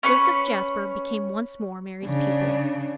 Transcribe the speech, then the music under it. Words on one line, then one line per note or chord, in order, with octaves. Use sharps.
Joseph Jasper became once more Mary's pupil.
C#4 B4 C#6
C#3 D4